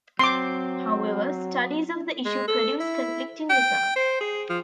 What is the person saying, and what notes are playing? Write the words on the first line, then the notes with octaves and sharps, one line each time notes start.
However, studies of the issue produce conflicting results.
F#3 C4 C6 D6
G#3
A4
E4
G5
C5
G#4
F3